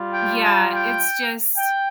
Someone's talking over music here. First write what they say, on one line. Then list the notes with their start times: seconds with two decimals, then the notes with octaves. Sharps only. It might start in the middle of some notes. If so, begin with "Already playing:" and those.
Yeah, it's just
Already playing: G3 F4
0.13 G5
0.42 A5
0.72 G5
1.57 G5